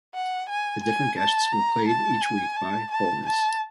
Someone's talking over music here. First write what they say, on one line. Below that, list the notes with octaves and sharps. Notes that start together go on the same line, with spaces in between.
The different guests were played each week by Holness.
F#5
G#5
G#5
A5
A#5
A5
G#5
A5
A5
A5